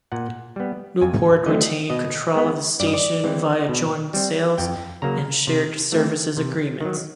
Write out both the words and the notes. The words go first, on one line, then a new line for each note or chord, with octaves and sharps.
Newport retained control of the station via joint sales and shared services agreements.
A#2 F#5
G3 B3
F2 G#5
D3 F#3 A3 C4 D#5
B2 D#5
G#3 B3
G2 D5
D#5
D5
E3 G#3 C4
B2
G3 C4
F2 G5
C#3 F#3 A#3 A#5
C3
E3 A3 C4
C3
D#3 F#3